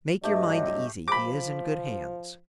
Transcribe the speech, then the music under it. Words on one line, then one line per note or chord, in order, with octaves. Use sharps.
"Make your mind easy, he is in good hands."
G2 F#3 A3 G4 D#5
F3 B5 D6